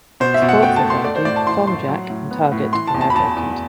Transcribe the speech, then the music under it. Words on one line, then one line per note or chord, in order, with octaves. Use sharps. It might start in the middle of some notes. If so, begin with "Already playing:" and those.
Sports Authority, Farmer Jack and Target are now vacant.
B2 C5
E5
B2
F#5
A3 G5
A5
A3
C6
A3 D5
C5
A2 D5
A5
E3 C6
A2 C6
F#3
A2
B3
A2
E3 C6
A5
E2
A5
B5
E2 A5
E2